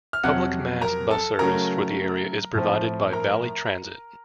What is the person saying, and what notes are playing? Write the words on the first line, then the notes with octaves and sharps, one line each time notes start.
Public mass bus service for the area is provided by Valley Transit.
F6
F2 C3 F#3 F#5 F#6
A#4 A#5
A4 A5
C#3 F#3 A3 A#4 A#5
A2 F3 C4
A#4 A#5